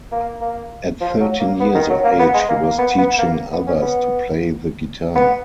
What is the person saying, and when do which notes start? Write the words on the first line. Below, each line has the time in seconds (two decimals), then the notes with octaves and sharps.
At thirteen years of age he was teaching others to play the guitar.
0.12 A#3
0.41 A#3
1.01 F3
1.20 F#3
1.40 A#3
1.60 B3
1.75 D#3
1.90 F#3
2.04 A#3
2.19 B3
2.34 G#3
2.49 A#3
2.64 A#3
2.78 B3
2.98 B3
3.18 A#3
3.53 B3
3.67 C#4
3.82 B3
5.16 B3